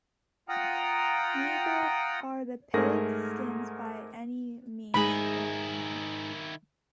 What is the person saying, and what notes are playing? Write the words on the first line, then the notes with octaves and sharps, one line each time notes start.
Neither are the pig-skins by any means ornamental.
F4 F#5 G5 A#5 D#6 F6
G#2 A3 G#4 A#4 A#6
G#2 D#3 D#4 E4 G#4 B5